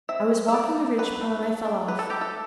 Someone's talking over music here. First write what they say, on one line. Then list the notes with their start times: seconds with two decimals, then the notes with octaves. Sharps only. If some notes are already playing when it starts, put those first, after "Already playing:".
I was walking the ridgepole and I fell off.
0.09 C4 E5
0.31 C4
0.48 E5
0.54 G3 D5
0.76 G3
0.98 F#3 B4
1.21 A3
1.43 F#3
1.65 D4
1.88 F#3 B4
1.99 A4
2.10 A3 G4
2.21 A4